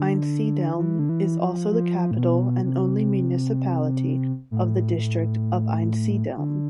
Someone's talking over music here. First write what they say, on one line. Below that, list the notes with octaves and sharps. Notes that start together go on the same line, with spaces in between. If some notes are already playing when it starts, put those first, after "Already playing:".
Einsiedeln is also the capital and only municipality of the District of Einsiedeln.
Already playing: D3
E3
D3
E3
F3
F3
A2
B2
C3
A2
A2
D3